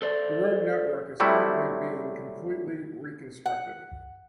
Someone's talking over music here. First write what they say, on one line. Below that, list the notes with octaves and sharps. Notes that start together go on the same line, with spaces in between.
The road network is currently being completely reconstructed.
A4 C5 D5
F#3 G3 A3 C4 E4
F#5